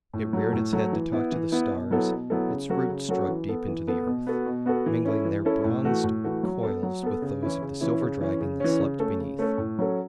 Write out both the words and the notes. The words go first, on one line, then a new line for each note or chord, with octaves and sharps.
It reared its head to talk to the stars; its roots struck deep into the earth, mingling their bronzed coils with those of the silver dragon that slept beneath.
A2
F#3 A3
A2
F#3 A3
E3
B3 E4
E3
B3 E4
B2
F#3 B3 E4 A4
B2
F#3 B3 E4 A4
C#3
F#3 C#4 F#4 A4
C#3
F#3 C#4 F#4 A4
E3
B3 A4
E3
B3 A4
B2
B3 F#4 A4
B2
B3 F#4 A4
E3
C#4 E4 A4
E3
C#4 E4 A4
A2
E3 A3 F#4
A2
E3 A3 F#4
F#3
B3 A4
F#3
B3 A4
C#3
E3 C#4 E4
C#3
E3 C#4 E4
C#3
E3 C#4
C#3
E3 C#4
C#3
A3 C#4 A4
C#3
A3 C#4 A4
A2
F#3 C#4 A4